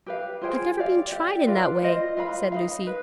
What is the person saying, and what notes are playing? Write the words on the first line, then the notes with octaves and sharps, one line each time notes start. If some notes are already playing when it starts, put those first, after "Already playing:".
"I've never been tried in that way," said Lucy.
G4 B4 F5
F4 G#4 C5 G5
G4 D5 F5
G4 D5 F5
F4 B4 D5 F5
F4 C5 D#5
F4 B4 F5 B5
D#4 B4 F5
B4